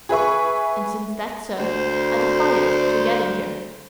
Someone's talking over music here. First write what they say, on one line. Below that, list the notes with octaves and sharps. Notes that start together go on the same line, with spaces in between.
And since that's so, I defy it to get in here.
G#4 B4 E5 C#6
D2 C5